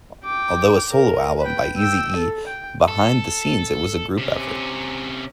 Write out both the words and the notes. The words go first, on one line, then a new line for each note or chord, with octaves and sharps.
Although a solo album by Eazy-E, behind the scenes it was a group effort.
G5 D6
A#4
B4 G5
G5 E6
A4
G5
A4
C3 C#4